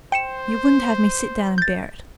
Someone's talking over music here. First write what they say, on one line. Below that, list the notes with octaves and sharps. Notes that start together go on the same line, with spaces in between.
You wouldn't have me sit down and bear it.
C5 G5 C#7 E7
G6 A6